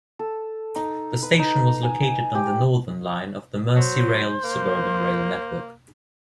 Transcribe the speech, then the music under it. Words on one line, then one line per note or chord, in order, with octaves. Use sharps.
The station was located on the Northern Line of the Merseyrail suburban rail network.
A4
D#4
B4
D#4
A#5
G#5
G#5
G4
F#3 C5
A#3